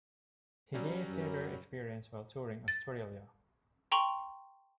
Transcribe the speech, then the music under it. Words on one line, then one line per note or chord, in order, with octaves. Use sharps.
He gained theatre experience while touring Australia.
F#3 G3 C#4
F#2
A6
G5 A#5 C6 C#6 F#7